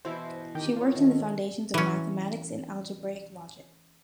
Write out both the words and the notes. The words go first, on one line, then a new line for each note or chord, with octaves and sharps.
She worked in the foundations of mathematics and algebraic logic.
B2 E3 E4 C5
D#3 G4 G6
F4 C#5
D#3 A3
E3 C#4